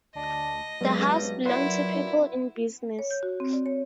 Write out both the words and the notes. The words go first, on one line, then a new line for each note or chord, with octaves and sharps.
The house belonged to people in business.
D2 D4 D#5
G2 F#3 G#3 B3
A#2 E4 B4 F#5 C6
C#5
G6
F#4
C4
D5
C#5